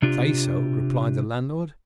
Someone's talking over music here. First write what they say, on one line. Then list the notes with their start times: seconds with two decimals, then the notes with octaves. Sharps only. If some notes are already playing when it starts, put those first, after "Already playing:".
"Say so!" replied the landlord.
0.02 C3 D4 F4 G4